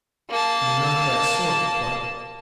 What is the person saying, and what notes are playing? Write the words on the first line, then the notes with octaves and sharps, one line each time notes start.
"I am not that sort--quite."
A#3 A5